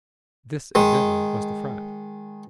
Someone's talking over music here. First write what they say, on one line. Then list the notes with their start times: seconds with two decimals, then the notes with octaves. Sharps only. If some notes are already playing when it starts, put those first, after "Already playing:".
This, evidently, was the front.
0.75 D#3 G#3